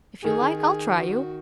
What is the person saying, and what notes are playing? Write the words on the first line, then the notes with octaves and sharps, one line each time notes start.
If you like, I'll try you.
D#3 G#4
D#3
G#4
F#4